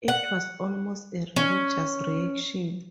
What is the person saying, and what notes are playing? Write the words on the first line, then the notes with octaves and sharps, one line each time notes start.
It was almost a religious reaction.
F#5
C#4